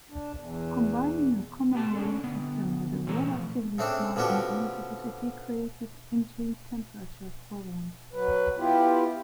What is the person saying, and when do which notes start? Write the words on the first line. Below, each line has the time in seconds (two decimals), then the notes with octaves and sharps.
Combining a common-rail system with a relatively small engine capacity created engine temperature problems.
0.10 D4
0.36 E2
1.73 B3 G4 A5
1.93 C#4 D4 A4
2.23 D3 B3
3.06 A#2 E3 C4 A4 C#5 A#5
3.25 B2 F3 A3
3.78 C#3 A3 C4 D4
4.16 B2 D3 F3 C#4 F#4 G4
8.13 F#3 B4
8.57 B3 E4 F4 G4